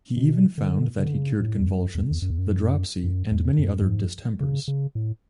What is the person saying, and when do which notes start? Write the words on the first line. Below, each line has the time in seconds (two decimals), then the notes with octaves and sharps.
He even found that he cured convulsions, the dropsy, and many other distempers.
0.17 B2
0.58 D3
0.99 C#3
1.06 D3
1.13 C#3
1.40 A2
1.60 E2
1.67 F#2
1.95 E2
2.11 E2
2.22 F#2
2.30 E2
2.38 F#2
3.04 F#2
3.32 E2
3.59 F#2
3.81 F#2
3.86 G#2
4.40 C#3
4.68 C#3
4.95 A2